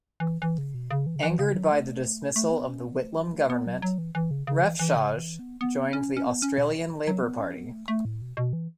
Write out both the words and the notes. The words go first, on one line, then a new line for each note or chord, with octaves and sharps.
Angered by the dismissal of the Whitlam Government, Refshauge joined the Australian Labor Party.
E3
E3
C#3
B2
C#3
E3
C#3
E3
C#3
F#3
A3
A3
B3
C#4
B3
A3
F#3
A3
B3
F#3
F#3
E3
E3
C#3
C#3
E3
E3
C#3
E3
B3
B3
C#4
C#4
B3
C#4
B2
F#3
B3
C#4
B3
A3
A3
A2
B2
B2
E3